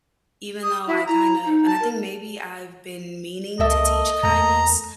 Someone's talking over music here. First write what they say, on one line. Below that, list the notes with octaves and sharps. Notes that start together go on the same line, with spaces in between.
even though I kind of and I think maybe I've been meaning to teach kindness,
D#6
E4 F#4
E4 A#5
D#4
A5
A#4
C#2 A#3 A4 D#5 E5
E2 A3 A#5